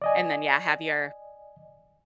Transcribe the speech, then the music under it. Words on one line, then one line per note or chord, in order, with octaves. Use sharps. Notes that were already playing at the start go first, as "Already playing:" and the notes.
and then, yeah, have your
D5 D#5 G#5